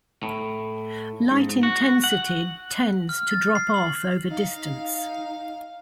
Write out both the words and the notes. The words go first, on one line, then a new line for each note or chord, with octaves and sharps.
Light intensity tends to drop off over distance.
A2
G#2
F#4
F#5
F6
A6
C7
F#7
D#4 F5